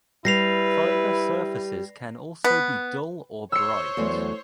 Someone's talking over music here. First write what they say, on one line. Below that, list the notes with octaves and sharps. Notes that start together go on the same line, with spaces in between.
Fiber surfaces can also be dull or bright.
G3 E4 B4 A#6 C7 F7
B3
C5 C#5 E6 C#7
E2 F#3 A3